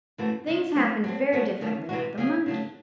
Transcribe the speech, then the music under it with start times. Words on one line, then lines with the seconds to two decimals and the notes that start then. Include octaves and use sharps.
Things happened very differently with the monkey.
0.18 F#2 E3 A3 C4 F#4
0.47 C#3 G#3 D#4
0.75 F#3 A3 C4 E4 G#4
1.04 F#3 A3 C4
1.32 D#2 D#3 A3 C#4 F#4
1.61 D#2 D#3 A3 C#4
1.89 C3 E3 G#3 C4 F#4
2.18 C#3 F#3 C#4 G#4
2.46 C#3 F#3 A3